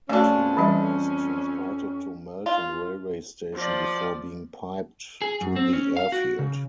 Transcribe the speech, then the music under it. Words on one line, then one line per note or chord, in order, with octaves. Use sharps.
Fuel was transported to Melton railway station before being piped to the airfield.
F2 C#3 A3 C#4 D4 F#4
E3 G3 E5
F4
F3 D5
G#4
F#2
C4
C#4
F5
F#4
C#3